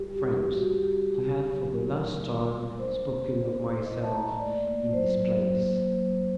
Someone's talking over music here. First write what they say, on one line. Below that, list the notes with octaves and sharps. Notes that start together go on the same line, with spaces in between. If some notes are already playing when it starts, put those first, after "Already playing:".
Friends, I have for the last time spoken of myself in this place.
Already playing: G3 G4
F#4
G3
F#4
G3 G4
G3
D#4
F#3
D#4 A#4
A3
G3
A#3
D4 C5
D4
D#4
D#4
A3 D#5
A5
A3 A#5
A#3 D5
A#3
F#3 C5
F#3
A#3
A#3
F#3